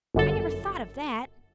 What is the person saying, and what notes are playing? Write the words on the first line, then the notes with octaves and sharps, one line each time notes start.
I never thought of that.
G1 F#2 D3 A4